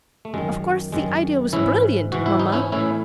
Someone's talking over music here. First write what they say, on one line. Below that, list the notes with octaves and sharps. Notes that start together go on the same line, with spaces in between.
Of course the idea was brilliant, mamma.
A3
F#2 D#3 G#3
F#2 D#3 G#3
G#2 E3 C#4 E4
G#2 E3 F#4
E4
D#4
C#4 E4
A2 E3 C#4 E4